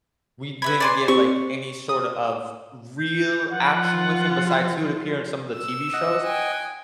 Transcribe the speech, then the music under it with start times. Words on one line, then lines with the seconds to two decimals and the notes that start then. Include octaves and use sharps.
we didn't get, like, any sort of real action with him besides he would appear in some of the TV shows,
0.62 B4 E5 B5 G#6
0.80 D5 G#5 C6
1.08 C4 G4 C#6
1.89 D#6
2.98 G6
3.50 F3 F4 F#5
5.57 E6
5.94 D#5 F#5
6.24 G5 G#5